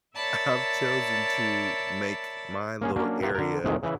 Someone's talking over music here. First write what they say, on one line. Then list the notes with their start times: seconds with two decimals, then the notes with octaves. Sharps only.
I've chosen to make my little area
0.15 A#4 C#5 D5 E5 A5 B5
2.81 A#3 C#4 G#4
2.96 F#3 A#3 C#4 D4
3.22 B3 E4 F4 G4 A#4 B4
3.35 D3 A#4
3.64 C2 F2 D#3 E3 G#3
3.83 C#3 E3 E4